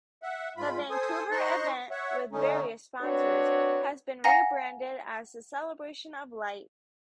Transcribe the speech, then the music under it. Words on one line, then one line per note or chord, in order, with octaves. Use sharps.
The Vancouver event, with various sponsors, has been re-branded as the "Celebration of Light".
E5 F#5
G#2 F4 B5
A4 C5 G#5 D#6
D#4 C5 A#5 C6 C#6 F#6
C#5 E5 F#5
D3 A3 C#4 D#4
C4 D4 F#4 B4 C#5
F5 F#5 G#5 A#5 A#6